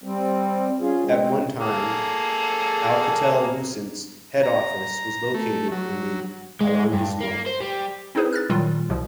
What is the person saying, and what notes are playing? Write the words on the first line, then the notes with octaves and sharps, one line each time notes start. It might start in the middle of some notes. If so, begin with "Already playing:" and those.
At one time Alcatel-Lucent's head office was located in the arrondissement.
G3 C4
C#4 F4 G#4
B2 G#3 C4
A#3 G#4 A4
A#5
A3
F#3
G#3
G2
A#3
C5
G3
C4 D#4 E4 G#4 B4 C5
F6 F#6 A6
A#2 D#3 F#3 G3 F4
C2 B2 F3